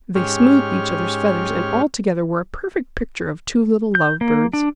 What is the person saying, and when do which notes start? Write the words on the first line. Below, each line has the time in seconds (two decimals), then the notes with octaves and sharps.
They smoothed each other's feathers and altogether were a perfect picture of two little lovebirds.
0.15 G#2 C#4 G4 C#5 F6
3.95 G6
4.21 A#3
4.53 D4